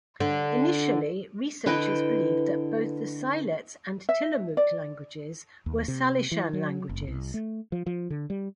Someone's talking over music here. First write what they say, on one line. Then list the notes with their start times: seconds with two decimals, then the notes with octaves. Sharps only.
Initially researchers believed that both the Siletz and Tillamook languages were Salishan languages.
0.20 D3
1.66 D3 E4 B4 D#5 G5
4.09 E5
4.57 D5
5.66 D#2
5.88 C3
6.32 E3
6.53 F#3
6.89 F#1
7.08 C2
7.34 A3
7.72 F3
7.86 F3
8.10 D3
8.30 G3